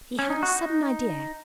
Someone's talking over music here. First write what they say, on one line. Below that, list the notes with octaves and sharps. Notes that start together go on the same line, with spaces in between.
He had a sudden idea.
C#4
D#4
F#4
D#4